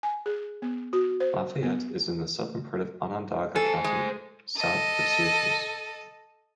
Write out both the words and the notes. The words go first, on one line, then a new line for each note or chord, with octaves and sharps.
LaFayette is in the southern part of Onondaga County, south of Syracuse.
G#5
G#4
B3
F#4
C5
B3
A4 C5 G#5
G#3
A4 D#5